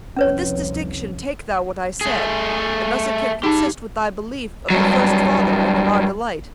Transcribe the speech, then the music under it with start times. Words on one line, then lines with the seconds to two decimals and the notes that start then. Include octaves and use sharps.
With this distinction take thou what I said, And thus it can consist with thy belief Of the first father and of our Delight.
0.16 C2 F2 C#4 B4 C#5
2.01 A3 G#4
3.43 D#4 G4 G#4 A5 B5
4.70 G2 F#3